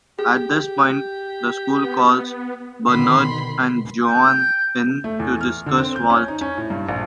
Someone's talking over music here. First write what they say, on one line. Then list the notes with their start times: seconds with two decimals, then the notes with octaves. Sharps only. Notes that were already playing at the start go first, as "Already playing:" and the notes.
At this point, the school calls Bernard and Joan in to discuss Walt.
0.19 G4 G#4
1.84 B3
2.88 B2 D3 D#3 B5 C6
4.07 G5
5.04 A3
5.20 E2
5.41 F6
5.66 D3
5.78 C4
5.96 G6
6.10 C#4
6.28 D#4
6.41 C#4
6.57 A2
6.70 G2
6.89 A#1